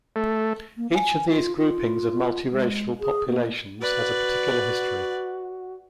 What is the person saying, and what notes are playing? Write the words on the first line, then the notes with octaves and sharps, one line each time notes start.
Each of these groupings of multiracial populations has a particular history.
A3
A#3
G#5
F4
F4
G#3
G#4
A#3
F#4 B4 D5